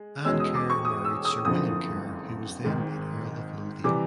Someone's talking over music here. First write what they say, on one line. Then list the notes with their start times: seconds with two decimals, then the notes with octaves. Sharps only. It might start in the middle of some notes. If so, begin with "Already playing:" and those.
Anne Kerr married Sir William Kerr who was then made Earl of Lothian.
Already playing: G#3
0.25 E2 B2 G#3 C#4 E6
0.40 D#6
0.55 D6
0.70 C#6
0.85 D#6
1.05 E6
1.25 D#6
1.45 F#1 F2 D3 F3 D#6
2.64 G#1 G#2 D#3
3.84 C3 E3 G3 D6